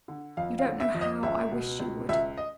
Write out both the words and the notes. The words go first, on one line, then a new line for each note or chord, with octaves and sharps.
'You don't know how I wish you would.
D3
F2 F5
F5
D3
E5
F2
D#5
C#2 E5
B2
C#2
C#2 E5
D#5